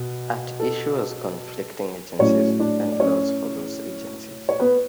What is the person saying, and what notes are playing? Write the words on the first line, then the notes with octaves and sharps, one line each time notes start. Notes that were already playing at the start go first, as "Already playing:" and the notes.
At issue was conflicting agencies and laws for those agencies.
Already playing: B2
A4
A2 F#3 A3 C#4 C#5
D4 D5
D5
C#4 C#5
C#5
B3 B4